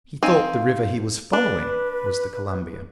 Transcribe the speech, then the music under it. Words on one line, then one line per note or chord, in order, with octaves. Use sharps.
He thought the river he was following was the Columbia.
C4 D#4 F5 G#5
D4 B4